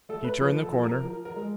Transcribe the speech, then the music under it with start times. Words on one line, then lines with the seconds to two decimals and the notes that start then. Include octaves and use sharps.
He turned the corner.
0.09 A3 A4
0.24 B4
0.40 F3 B4
0.62 A4
0.72 F3
0.83 A#4
1.04 F3 A#4
1.25 A#4
1.36 G#3